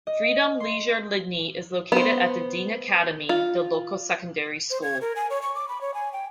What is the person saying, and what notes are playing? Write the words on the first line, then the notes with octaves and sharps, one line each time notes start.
Freedom Leisure Lydney is located at the Dean Academy, the local secondary school.
D#5
C6
B3 C5
F4
C5
G#6
A#4
G#5
C#5
C#6
D6
B5
C#5
G#5
G5